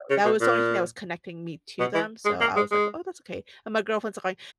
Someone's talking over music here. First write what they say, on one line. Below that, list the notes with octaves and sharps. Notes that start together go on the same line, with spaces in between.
That was the only thing that was connecting me to them, so I was like, "Oh, that's okay." and my girlfriend's are going,
C#3
B2
A#2
B2
E3
G#3
A#3
G#3
G#3